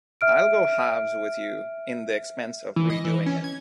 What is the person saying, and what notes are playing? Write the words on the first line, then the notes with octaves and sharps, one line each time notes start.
I'll go halves with you in the expense of redoing it.
E5 F6 D7
E3
D#5
E3
C#4
G#6